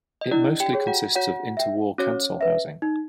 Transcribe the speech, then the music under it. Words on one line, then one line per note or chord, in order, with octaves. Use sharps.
It mostly consists of interwar council housing.
D#5
D4 E4 D5
G4 G5
G#4 C#5
F#4 F#5
F#4 C#5 F#5
E5 G5
C#4 F#4 C#5
B4 E5
D#4